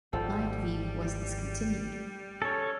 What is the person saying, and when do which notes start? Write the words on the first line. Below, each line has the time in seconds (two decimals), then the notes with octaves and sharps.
Night View was discontinued.
0.13 G#1 F3 G3 A4
2.42 C#4 A4 C#5